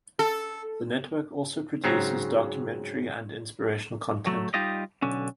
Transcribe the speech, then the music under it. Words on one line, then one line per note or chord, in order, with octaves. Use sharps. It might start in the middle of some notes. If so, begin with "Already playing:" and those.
The network also produces documentary and inspirational content.
A4
G#2 C#3 F#3 C4 A#5
F#3 A3
G3 D#4 F4 G4 D#5
B1 D3 C#4